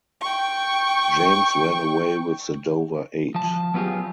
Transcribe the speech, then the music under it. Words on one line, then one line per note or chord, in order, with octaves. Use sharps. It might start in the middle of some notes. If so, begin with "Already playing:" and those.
James ran away with the Dover Eight.
G5 C#6
F3 A5
F#3 B3 F4 G4 G#4